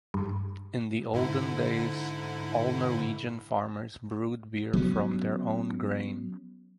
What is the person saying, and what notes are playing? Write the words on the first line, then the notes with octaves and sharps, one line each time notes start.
In the olden days all Norwegian farmers brewed beer from their own grain.
G2
G#2 D3 E4
F#3 B3 C#4